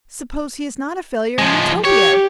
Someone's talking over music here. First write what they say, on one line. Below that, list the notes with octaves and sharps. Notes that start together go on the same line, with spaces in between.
Suppose he is not a failure in Utopia!...
F3 G#3
G4 C#5